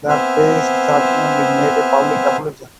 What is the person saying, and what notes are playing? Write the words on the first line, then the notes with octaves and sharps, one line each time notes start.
The priest subsequently made a public apology.
B3 C4 C5 E5 G#5 F6